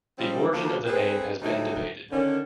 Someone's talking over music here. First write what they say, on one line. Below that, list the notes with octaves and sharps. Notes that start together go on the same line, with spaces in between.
The origin of the name has been debated.
F3 G3 G#3 C4 C#4 F4
D2 F3 A#3
C4 G#4 A4 B4
D2 F#3 A3 D#4 G4 C#5
D3 D#3 C#4